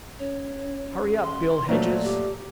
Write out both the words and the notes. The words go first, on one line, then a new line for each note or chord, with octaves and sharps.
"Hurry up, Bill Hedges!"
C#4 C#5
C6
A#2 F#3 A3 C5 D5
G4